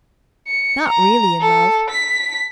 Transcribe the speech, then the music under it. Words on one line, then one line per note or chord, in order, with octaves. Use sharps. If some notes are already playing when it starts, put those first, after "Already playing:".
Not really in love.
C#7
A#5
A4
B6